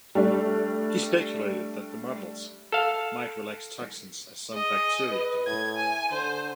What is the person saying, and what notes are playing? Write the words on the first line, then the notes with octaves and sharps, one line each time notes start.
He speculated that molds might release toxins, as some bacteria do.
G3 A3 D4
A4 F5
G#4 D#5
B4
A2 G#6
G#5
D3 C5